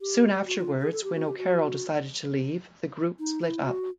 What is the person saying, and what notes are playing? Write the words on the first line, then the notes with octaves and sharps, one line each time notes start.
Soon afterwards, when O'Carroll decided to leave, the group split up.
G4
F#4
F4
G#4
A4
G4
F#4
G4
F#4
D#4
E4
F#4